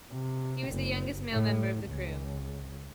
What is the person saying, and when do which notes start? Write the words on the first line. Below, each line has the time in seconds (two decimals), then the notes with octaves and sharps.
He was the youngest male member of the crew.
0.11 C3
0.69 F#1
1.32 A2
1.86 C#2